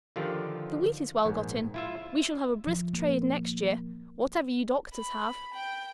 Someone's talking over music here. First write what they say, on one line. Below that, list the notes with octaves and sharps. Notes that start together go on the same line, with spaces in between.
If the wheat is well got in, we shall have a brisk trade next year, whatever you doctors have.'
D3 D#3 F3 F4 G4
A#1 G#2
E4 F4 E5
F3
A#3
B5
G5